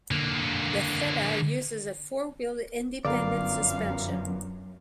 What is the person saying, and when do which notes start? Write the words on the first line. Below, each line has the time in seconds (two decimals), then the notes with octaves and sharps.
The Theta uses a four-wheel independent suspension.
0.11 D3 A#3
3.05 G1 F#2 B3 A#4 D5 F5